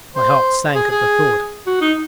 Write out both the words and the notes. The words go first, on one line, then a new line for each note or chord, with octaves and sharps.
My heart sank at the thought.
C5
G#4
G#4
F#4
D#4